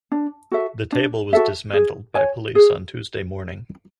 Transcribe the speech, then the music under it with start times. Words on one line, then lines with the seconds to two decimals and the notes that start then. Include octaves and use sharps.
The table was dismantled by police on Tuesday morning.
0.12 D4
0.52 F#4 A4 E5
0.92 D4
1.33 F#4 A4 E5
1.73 G#4
2.15 C#5 G#5
2.55 G#4